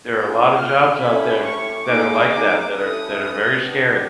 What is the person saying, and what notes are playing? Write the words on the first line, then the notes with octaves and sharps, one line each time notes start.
There are a lotta jobs out there that are like that, that are that are very scary,
A#3 C#4 F4 G#4 G6
F6
A3 C#4 E4 G4 B5
C#6
A#3 D#4 G#4 D6
D6
C#4 E4 A4 D#6
B3 D4 G4